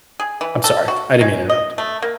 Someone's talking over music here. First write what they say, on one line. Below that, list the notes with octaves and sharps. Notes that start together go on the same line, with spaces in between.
I'm sorry, I didn't mean to interrupt.
G#4
E3
A4
F#4
G#3
D#5
A3
A#3